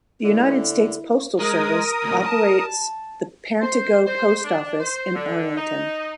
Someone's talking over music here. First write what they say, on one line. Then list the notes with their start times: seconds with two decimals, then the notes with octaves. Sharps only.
The United States Postal Service operates the Pantego Post Office in Arlington.
0.24 D3 E4
1.39 G#3 A#4 D#6
2.03 D2 A#2
2.25 A5
3.61 C5
4.06 C5
4.44 D4
4.80 C5
5.14 D3
5.57 D#4